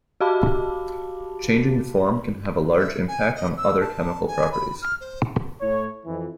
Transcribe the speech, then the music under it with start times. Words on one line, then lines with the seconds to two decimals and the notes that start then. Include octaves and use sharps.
Changing the form can have a large impact on other chemical properties.
0.21 F#4 G4 F5 A5 B5 D6
2.79 E5
3.08 G#5
3.35 D#5
3.57 E6
3.81 A5
4.27 G#5
4.52 B5
4.82 F6
5.01 C5
5.60 A2 C#5
6.06 F2 E3